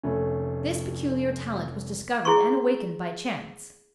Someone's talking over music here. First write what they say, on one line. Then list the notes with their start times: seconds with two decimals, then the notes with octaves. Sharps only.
This peculiar talent was discovered and awakened by chance.
0.03 F1 A3 C#4
2.25 E4 G#4 C6 C#6